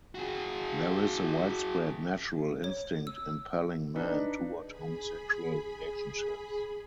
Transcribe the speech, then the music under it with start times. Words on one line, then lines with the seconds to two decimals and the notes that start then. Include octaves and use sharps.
There is a widespread natural instinct impelling men toward homosexual relationships.
0.15 F#4 G#4
2.64 C#5
3.07 E6
3.95 D4 D#4 B4
4.58 G#4 B5